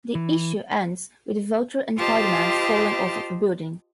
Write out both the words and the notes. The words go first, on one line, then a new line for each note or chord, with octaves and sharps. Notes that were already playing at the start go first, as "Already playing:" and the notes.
The issue ends with the Vulture and Spider-Man falling off of a building.
E3
F4 G4 C5 D#5 A5 F6